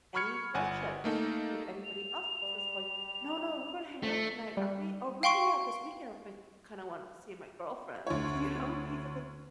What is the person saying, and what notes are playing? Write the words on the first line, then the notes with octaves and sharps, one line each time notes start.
any friendships with anybody else 'cause it's like, "No, no. We're gonna hang out tonight, aren't we? Oh, we're hanging out this weekend, with me," kinda wanted to see my girlfriends, you know, but he's like, "Oh"
B5 C#6 F6 G#6 C#7
G1 F#5 G#5
A3 A#3 D#4 A4
F7
G3
F3 A3
G3
F5 G5 C6 C#6 D7
D2 C#5